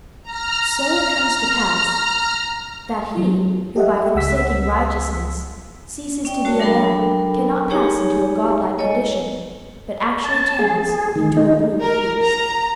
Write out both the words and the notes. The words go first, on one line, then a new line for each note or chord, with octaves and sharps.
So it comes to pass that he who by forsaking righteousness ceases to be a man cannot pass into a Godlike condition, but actually turns into a brute beast.'
A#5 F6
F#3
G4 A4 D#5 E5 F#5
C#2 F#5 E6 B6
C#4 D5 G5
G#3 F#4 C#5 A5
F#3 D4 A4 A#4 G5 B5
D#4 G4 G#4 C#5 G#5
A4 C#5 D#5 G#5
A5
G#4
G#4
D#3
D#4
A#4
A#5